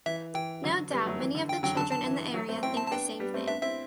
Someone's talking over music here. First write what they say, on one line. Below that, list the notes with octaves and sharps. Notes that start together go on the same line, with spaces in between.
No doubt many of the children in the area think the same thing.
E3 E5
E3 G5
D3 F#3
G3 B3
F#3 A3
E3
D3
G5
D3 F#3 G5
D3 F#3 A5
D3 A5
E3
F#3 A3
A3 C4
C4 E4 G5
A5
A5
B3 D4 G5
G3 B3
A3 C4
B3 D4 E5
C4 E4 E5